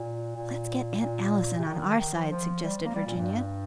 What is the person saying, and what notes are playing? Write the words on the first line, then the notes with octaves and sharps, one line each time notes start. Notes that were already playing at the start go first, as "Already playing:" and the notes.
"Let's get Aunt Allison on our side," suggested Virginia.
Already playing: A#2
A#2
A#2
C3
D#3
D#3
F3
F3
G3
A#3
G3
A#2
G2